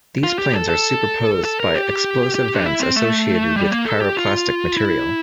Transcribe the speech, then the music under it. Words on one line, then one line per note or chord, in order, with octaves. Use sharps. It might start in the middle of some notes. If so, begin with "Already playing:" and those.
These plains are superposed by explosive vents associated with pyroclastic material.
F4
G4
A4
A4
A4
A#4
G4
G4
D4
E4
C4
A3
G3
A#3
A4
G4
F4
E4